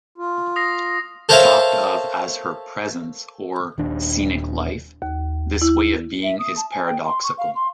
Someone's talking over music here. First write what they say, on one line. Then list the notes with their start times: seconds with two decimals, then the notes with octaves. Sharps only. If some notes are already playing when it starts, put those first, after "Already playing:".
Talked of as her "presence" or "scenic life", this way of being is paradoxical.
0.18 F4
0.56 D#6 A#6 C7
1.29 A4 A#4 C5 C#5 E5 F5
3.78 D#1 D#2 D4
5.02 D#2
5.62 E4
6.23 E5
6.39 D#6
6.57 A5
6.71 G#5
6.86 G5
7.05 C6
7.23 C#6
7.38 F5
7.55 C6